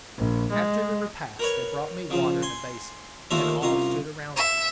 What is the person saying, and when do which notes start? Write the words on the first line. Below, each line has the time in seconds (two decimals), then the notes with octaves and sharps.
After the repast they brought me water in a basin, and all stood around me.
0.17 A#1
0.51 G#3
1.39 A#4 B4 C#5
2.10 C#3 F3
2.42 G#5 C6
3.31 D#2 D#3 A3 F4 A#4 E5
3.61 C2 C#4 F4 A#5
4.37 E5